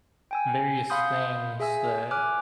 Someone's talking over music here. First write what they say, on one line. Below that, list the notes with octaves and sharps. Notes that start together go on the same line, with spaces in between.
various things that
G5 G#5 E6
F5 F#5 B5 C6 D#6 G6
G#4 E5 G#5 E6
G#5 D6 F6 F#6